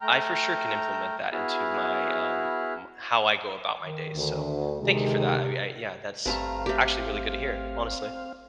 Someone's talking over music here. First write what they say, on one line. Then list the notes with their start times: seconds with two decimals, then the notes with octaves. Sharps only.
I for sure can implement that into my, um, m how I go about my day, so, thank you for that. I mean, I Yeah, that's actually really good to hear, honestly.
0.01 A3 G5 A#5 F6
1.32 B3 E4 F#4 G#4 B5 F6
3.81 D#3
4.15 D2
4.81 D2 C3 D#3 G#3
6.26 G#1 G2 A3 C4 F5 A#5
6.66 A3 G4